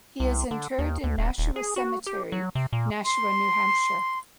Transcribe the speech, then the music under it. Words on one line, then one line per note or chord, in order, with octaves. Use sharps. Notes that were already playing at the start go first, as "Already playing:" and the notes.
He is interred in Nashua Cemetery, Nashua, New Hampshire.
C2
D3
D#2
D2
D#1
D#1
G#4
F#4
G4
F#3
C3
A#2
C6